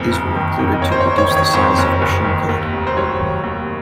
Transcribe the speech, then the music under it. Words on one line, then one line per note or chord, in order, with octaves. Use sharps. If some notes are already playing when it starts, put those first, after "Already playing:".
These were included to reduce the size of machine code.
Already playing: F#1 F2
F#1
D#3
F2
D#5
F#1 C#5
C5
C#5
F#1
C#5
D#3
C#5
F2 C5
F#1
F#1
D#3
D#2
F1
C5
F#3 C#5
D#3
D#2